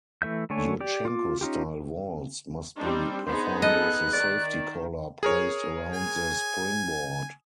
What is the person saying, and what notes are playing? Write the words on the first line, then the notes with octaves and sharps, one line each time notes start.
Yurchenko-style vaults must be performed with a safety collar placed around the springboard.
E3 A3 E5 G6
D3 A3 C#5 G#5
G4 D5
F4 D6
C#4 D#4 F4 G4
G3 C4 D4 D#4
B3 D#4 G#4 C5
A4 D#5 F#6
D#3 D5
G#4 A#4 C#5
G#5